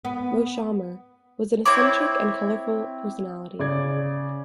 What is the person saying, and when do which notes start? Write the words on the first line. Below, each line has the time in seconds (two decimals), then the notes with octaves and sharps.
Moshammer was an eccentric and colorful personality.
0.05 B3
1.65 C4 E4 C#5 D6
3.59 C#3 D5 G#6